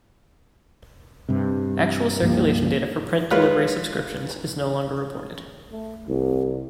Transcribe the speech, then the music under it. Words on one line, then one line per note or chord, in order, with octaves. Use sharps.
Actual circulation data for print delivery subscriptions is no longer reported.
G2 C3
C#2 G2 F3 A#3
G#3 F4 B4 C#5 F6
A3
C2